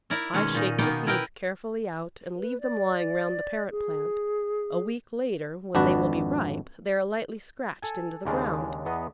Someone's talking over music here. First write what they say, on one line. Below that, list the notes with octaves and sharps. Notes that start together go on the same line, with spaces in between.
I shake the seeds carefully out, and leave them lying round the parent-plant; a week later, when they will be ripe, they are lightly scratched into the ground.
E4 A#4 D5 E5
B2 D#3 G#3 C#4
A#2 D#4
B2 D#3 A#3 B3 G5
E4 A#4 B4 G5
B4
D5
G#4
G#1 F2 D4 F#4 B4
A4 G#5
D#2 C#3 G#3 D4
E2 B3 D#5